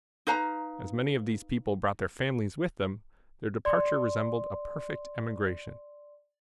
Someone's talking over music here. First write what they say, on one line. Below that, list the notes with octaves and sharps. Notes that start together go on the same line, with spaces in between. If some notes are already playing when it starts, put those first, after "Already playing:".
As many of these people brought their families with them, their departure resembled a perfect emigration.
D#4 B4 F5 A#5
D5 C6